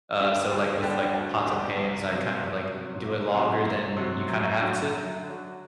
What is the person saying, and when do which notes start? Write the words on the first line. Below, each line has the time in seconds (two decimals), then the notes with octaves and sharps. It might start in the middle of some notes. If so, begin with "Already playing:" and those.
uh, so like, with, like, pots and pans, I kind of, like, do it longer than you kinda have to,
0.19 D3 G3 D4 G4
0.51 D2
0.82 D3 G3 D4 G4
1.14 D2
1.45 D3 G3 D4 G4
1.77 C2
2.08 C3 F#3
2.40 C2
2.71 C3 F#3
3.03 C2
3.34 C3 F#3
3.66 C2
3.97 C3 F#3
4.29 F#2
4.60 D3 F#3
4.92 F#2
5.23 D3 F#3